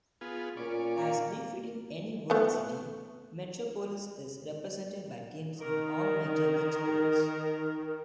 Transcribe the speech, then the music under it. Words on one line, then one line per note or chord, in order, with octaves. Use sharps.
As befitting any world city, Metropolis is represented by teams in all major-league sports.
B3 F4 G#4
A#2 C#4 D5
A#3
A3 B3
D#3 A#4